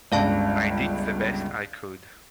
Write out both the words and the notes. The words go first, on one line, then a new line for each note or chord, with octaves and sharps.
I did the best I could.
G1 C#2 G2 D5 F5 A5